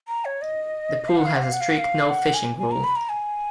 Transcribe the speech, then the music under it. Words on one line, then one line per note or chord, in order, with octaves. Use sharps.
The pool has a strict no fishing rule.
A#5
C#5
D#5
F5
F#5
F5
F#5
F5
F#5
F5
F#5
F5
F#5
G#5
G#5
A#5
B5
A#5
G#5